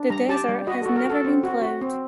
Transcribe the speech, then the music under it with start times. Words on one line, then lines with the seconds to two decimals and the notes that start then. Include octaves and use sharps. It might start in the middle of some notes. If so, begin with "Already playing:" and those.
The desert has never been ploughed.
Already playing: D4
0.10 G3 A#5
0.29 G4 A5
0.49 G3
0.67 F#4 D#5
0.82 F#4 A4
0.96 A#4
1.05 F#4 A4
1.25 C4
1.43 F#4
1.62 F#4
1.81 C4